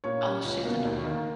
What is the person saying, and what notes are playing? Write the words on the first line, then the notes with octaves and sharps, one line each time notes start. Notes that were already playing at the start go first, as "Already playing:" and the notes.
Oh, she's annoying.
A#2 C#5
G3 C#4
C#2
B2 A#3
D#2
D#3 A#3